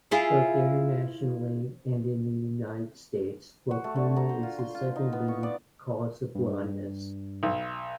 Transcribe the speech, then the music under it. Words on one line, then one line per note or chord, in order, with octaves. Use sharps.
Both internationally and in the United States glaucoma is the second-leading cause of blindness.
E4 F4 G#4
F#4
A3
D3
A#5
C5
F4
C6
F4
D#4
B3
C#6
D5
G2
B1